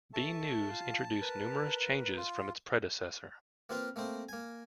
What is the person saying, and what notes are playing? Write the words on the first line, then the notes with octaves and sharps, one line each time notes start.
B News introduced numerous changes from its predecessor.
A4 E5 A5 C#6
F4 F5
A#4 B4
F4
A#3 C4 F4 B4 F5
A3 A#3 C4 C5
A#3 G#5